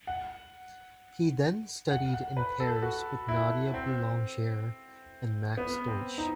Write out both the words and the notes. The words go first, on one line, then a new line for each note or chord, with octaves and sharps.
He then studied in Paris with Nadia Boulanger and Max Deutsch.
F#5
F#5
F#5
B4
A4
F#4
E4
C4
B3
C4
D#4